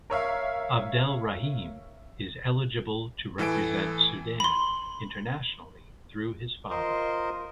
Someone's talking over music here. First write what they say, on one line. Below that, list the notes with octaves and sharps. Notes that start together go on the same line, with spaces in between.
Abdel Rahim is eligible to represent Sudan internationally through his father.
A#4 C#5 E5 F5
A2 E3 A4 G#5 D7
B5 C6
F4 A#4 C5 D#5